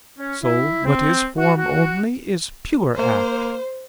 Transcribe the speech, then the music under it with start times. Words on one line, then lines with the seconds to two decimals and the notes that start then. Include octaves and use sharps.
So what is form only is pure act.
0.18 C#4
0.42 E4
0.84 C4
1.37 F#4
1.57 F#4
2.98 A#3 C5